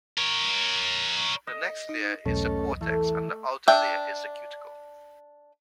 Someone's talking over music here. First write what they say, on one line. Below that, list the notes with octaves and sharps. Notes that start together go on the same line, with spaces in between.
The next layer is the cortex and the outer layer is the cuticle.
A#4 C#5
D#5
D#4
E1 B1 A3 C#4 A4
E3 A3
D4 E5 G5